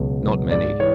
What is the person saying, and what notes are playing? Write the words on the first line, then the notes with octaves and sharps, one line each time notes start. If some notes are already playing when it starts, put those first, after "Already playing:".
Not many!
Already playing: C#2 B2 F#3
B2 F#3
G#2 D5
E3 C#5